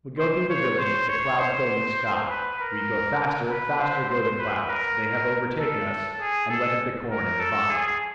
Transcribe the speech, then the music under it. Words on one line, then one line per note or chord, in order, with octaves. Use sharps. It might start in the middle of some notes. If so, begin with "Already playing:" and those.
"We go through the village; The clouds go in the sky; We go faster, Faster go the clouds; They have overtaken us, And wetted the corn and the vine."
C5
C#5
C5
C#5
C5
B4
A#4
B4
C5
C5
B4
A#4
A4
G#4
A4
A#4
A4
G#4